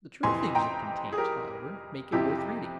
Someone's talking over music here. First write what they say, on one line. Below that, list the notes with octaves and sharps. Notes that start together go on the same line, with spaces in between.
The true things it contains, however, make it worth reading.
F2 C3 E3 G#5 C6
G5 A#5
G#4
G4 A#4
F2 C3 F3 E4 G4